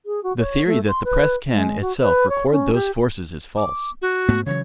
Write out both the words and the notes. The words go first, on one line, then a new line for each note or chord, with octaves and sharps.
The theory that the press can itself record those forces is false.
G#4
F#4
C#5
A3
C6
B4
G#3
F#4
B4
C#5
C#4
G4
D6
F#4
G#2 A3 B3
C#3 E3 F#3 C#5